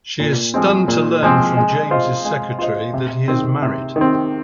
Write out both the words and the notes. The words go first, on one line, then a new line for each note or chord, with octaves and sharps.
She is stunned to learn from James' secretary that he is married.
A#2
F3 G#3 C4
A#2
F3 G#3 C4
G#3
F4 C5 D#5
G#3
F4 C5 D#5
C3
D#3 C4
C3
D#3
C4